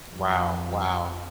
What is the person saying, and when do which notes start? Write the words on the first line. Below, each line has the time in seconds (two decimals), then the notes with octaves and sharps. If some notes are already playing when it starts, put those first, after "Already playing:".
Wow, wow.
0.14 F2 F3